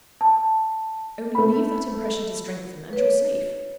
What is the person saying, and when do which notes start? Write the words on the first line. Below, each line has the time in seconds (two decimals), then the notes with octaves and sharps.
Only leave that impression to strengthen, and you're safe.
0.21 A5
1.35 A3 B5
2.93 B4 C#5